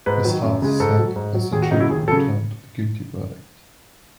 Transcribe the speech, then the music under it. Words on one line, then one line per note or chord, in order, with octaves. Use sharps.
His heart sank as the jury returned a guilty verdict.
G#2 B4
D#3 F#3
F#2
C#3 G#3
G#2 A4
F#3
G#2
F#3
D#2 G#4
F#4
C#3 F#3 D#4
E4
D#2 G#4
C#3 F#3 A4